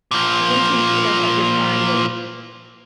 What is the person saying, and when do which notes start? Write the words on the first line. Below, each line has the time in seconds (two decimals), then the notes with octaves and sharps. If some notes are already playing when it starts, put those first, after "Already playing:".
and once you you know, have your time, you'll
0.11 A#2 F3